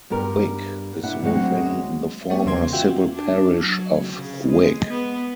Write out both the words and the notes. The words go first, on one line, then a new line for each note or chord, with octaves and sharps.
Wick is within the former civil parish of Wick.
G2 B3 G4 A#4
D4 E4 F#5
D2 F#3 G#3 C4 F#5
G#3 A#3 C4 G4 C#5
E2 C#3 B3 C6 G#6
F4 F#4 E5 G5
D4
F#3
C#3
G#3
B3